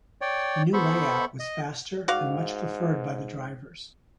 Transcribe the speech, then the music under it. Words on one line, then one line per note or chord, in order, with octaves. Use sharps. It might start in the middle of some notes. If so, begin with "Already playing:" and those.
The new layout was faster and much preferred by the drivers.
C#5 D5 G5
B3 A4 C5 B5 C#6
D#5
G#2 F#4 D5 F5